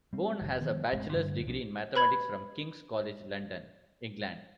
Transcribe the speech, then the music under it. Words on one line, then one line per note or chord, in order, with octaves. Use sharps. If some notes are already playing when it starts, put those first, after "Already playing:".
Bourne has a bachelor's degree in mathematics from King's College London, England.
G3 C4
F1 A#2
D#3 F3 B3
E1 A1 G#3 C4
G2 D3 G3 D4
B1 C3 F3 D4
B4 B5 G#6